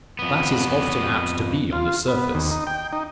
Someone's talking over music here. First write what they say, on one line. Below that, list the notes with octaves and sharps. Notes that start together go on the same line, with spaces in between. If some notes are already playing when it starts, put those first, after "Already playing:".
That is often apt to be on the surface.
F2 B3
F4
B3
D#2
D#4
G5
D#4